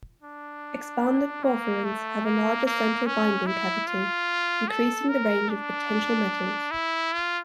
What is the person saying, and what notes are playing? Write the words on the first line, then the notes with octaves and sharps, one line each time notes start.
Expanded porphyrins have a larger central binding cavity, increasing the range of potential metals.
D4
A#3
A3
A#3
A#3
C#4
E4
F4
A4
A#4
D4
E4
F4